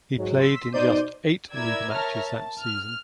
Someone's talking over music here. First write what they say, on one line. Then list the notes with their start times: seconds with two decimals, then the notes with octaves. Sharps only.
He played in just eight league matches that season.
0.17 G#2 F#3
0.38 C6 E6 B6
0.72 B2 D#4 C5 D5 G6 D#7
1.53 E4 A#4 D5 E6 G#6
1.92 A#4 C#5 E5 A5 A#5 F6
2.24 A5
2.60 F6